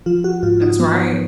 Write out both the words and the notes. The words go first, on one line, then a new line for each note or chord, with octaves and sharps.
That's right.
F3 F4
F#4
G#2 F4
D#4
F3 B3